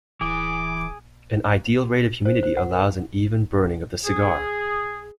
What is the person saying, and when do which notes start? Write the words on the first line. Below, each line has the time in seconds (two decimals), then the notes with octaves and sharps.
An ideal rate of humidity allows an even burning of the cigar.
0.21 D1 E3 G#4 D6
2.25 C5
2.43 C5
2.57 F#5
2.71 A#4
4.06 G#4